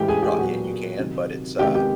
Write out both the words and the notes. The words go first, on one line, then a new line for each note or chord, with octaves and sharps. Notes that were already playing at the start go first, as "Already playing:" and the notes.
you proba yeah, you can, but it's, uh
Already playing: A2 E3 G#3 G4 G5
G#4 G#5
G4 G5
A#2 F#3 B3 F#4 F#5
C3 D#3 F#3
C3 D#3 G#3 B3 G4 G5
G4 G5